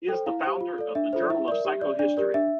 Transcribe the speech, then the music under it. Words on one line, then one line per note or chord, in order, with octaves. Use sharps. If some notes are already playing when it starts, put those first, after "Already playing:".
He is the founder of "The Journal of Psychohistory".
A4 C5 G5
E4 F5
G4 C5
F4
A4 D5
D4 E5
F4 A4 C5
E4 E5
A#4 D5
G4
D5
D4 D5
G4 A#4 D5
D4 E5